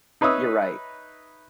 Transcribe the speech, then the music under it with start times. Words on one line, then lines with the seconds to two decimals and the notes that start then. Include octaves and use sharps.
You're right.
0.21 D#4 B4 C#5 E5 D#6